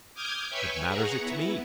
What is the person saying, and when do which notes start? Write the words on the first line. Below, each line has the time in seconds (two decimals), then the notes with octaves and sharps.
What matters it to me?
0.15 D6 D#6 F6 G6 G#6
0.50 B4 C#5 E5 G5 G#5 C#6
0.87 G#4 F#5 A#5 C#6
1.20 B3 E4